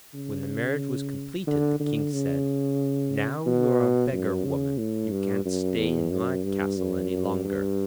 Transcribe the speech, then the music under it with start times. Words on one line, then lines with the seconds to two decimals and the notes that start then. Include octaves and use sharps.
When the marriage was completed, the King said: 'Now you are a beggar-woman, you can't stay in my castle any longer.
0.14 C#3
1.47 D3
1.80 D3
2.13 C#3
3.46 B2
4.12 F#2
4.45 C#3
4.78 A2
5.11 G2
5.45 F#2
5.78 E2
6.11 F#2
6.44 G2
6.77 F#2
7.10 F#2
7.44 G2